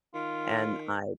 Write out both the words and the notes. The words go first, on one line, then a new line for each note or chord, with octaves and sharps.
and I
D#3 F4